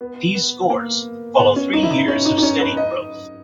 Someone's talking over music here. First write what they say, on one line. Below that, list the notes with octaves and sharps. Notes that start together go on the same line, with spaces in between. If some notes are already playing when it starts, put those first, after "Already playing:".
These scores follow three years of steady growth.
B3
B3
A#3
B3
C#4
D#4
E4
D#4
C#4
D#4
D#4
C#4
B4
D#5